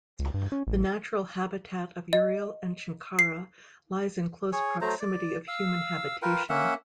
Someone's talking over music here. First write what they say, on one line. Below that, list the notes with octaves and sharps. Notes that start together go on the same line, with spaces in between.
The natural habitat of urial and chinkara lies in close proximity of human habitation.
C#2
G2
C#4
A1
D#5
C7
G#4 C#5
F#3 A3 C5 A#5
D5
F5 E6
F4 A#4 B4 G5
A#3 C#4 E5 F#5